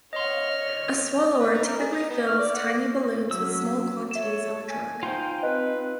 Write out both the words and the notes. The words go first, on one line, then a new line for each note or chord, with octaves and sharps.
A swallower typically fills tiny balloons with small quantities of a drug.
C#5 D#5 C6 F6
B4
D#4
A#4
G#4
D#4
B3
F6
D5
F#5
F#3 C#4 E6
A4 C#5 E5 E7
G#5
D#4 F4 C5 G5
C4 B4 D#5